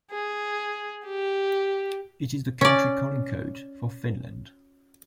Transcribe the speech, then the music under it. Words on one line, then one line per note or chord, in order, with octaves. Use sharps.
It is the country calling code for Finland.
G#4
G4
C#4 D5